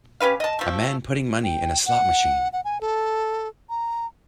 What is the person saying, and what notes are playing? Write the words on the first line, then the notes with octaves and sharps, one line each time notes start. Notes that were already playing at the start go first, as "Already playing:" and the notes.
A man putting money in a slot machine.
C#4 G4 B4 F5
D#5 A5
F3 A3
G5
F#5
F#5
G#5
A4
A#5